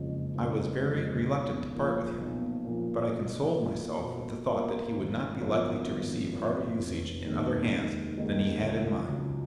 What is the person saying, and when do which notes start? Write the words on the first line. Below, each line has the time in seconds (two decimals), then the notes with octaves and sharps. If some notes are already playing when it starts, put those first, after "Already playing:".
I was very reluctant to part with him, but I consoled myself with the thought that he would not be likely to receive harder usage in other hands than he had in mine.
Already playing: F#1 F2 C#3 G#3
0.35 F#1
0.82 F2 C#3 G#3
1.27 B1
1.73 A#2 F3
2.19 B1
2.65 A#2 F3
3.11 B2
3.57 A#3 F4
4.04 B2
4.49 A#3 F4
4.94 G#1
5.41 F#2 F3 B3 F4
5.87 G#1
6.33 F#2 F3 B3 F4
6.79 F1
7.24 D#2 D#3 G#3
7.71 F1
8.17 D#2 D#3 G#3
8.63 C#2
9.08 C#3 F#3